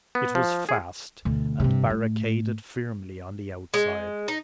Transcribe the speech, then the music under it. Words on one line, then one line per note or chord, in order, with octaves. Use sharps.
It was fast, and barricaded firmly on the outside.
B3
F3
G#4
D2 B2
G2 C3
A2
G#3
D#4